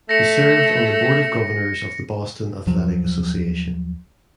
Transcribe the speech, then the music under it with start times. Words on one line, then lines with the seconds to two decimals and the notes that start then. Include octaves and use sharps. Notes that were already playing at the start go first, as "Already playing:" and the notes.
He served on the Board of Governors of the Boston Athletic Association.
0.09 A3 A#6 C#7
2.67 D#2 F3 F#3